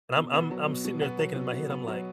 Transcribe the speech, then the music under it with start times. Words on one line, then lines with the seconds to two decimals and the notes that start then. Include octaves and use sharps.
and I'm I'm I'm sitting there thinking in my head, I'm like,
0.16 B2
0.34 B3
0.51 F#3
0.68 B2
0.85 B2
1.02 B3
1.19 F#3
1.36 B2
1.53 B2
1.70 B3
1.88 F#3